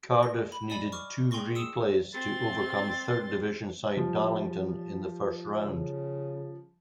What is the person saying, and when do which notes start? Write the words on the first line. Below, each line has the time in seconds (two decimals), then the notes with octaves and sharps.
Cardiff needed two replays to overcome Third Division side Darlington in the first round.
0.23 A#6
0.52 B5
0.70 D5 D#5 G#5 B5
0.92 C#6 D6 F6
1.31 G#4 G5 G#5 C6 C#6 A#6
1.55 D#6 E6 C#7 E7
2.13 C4 C6 A6
3.97 F3 G3
5.63 C#3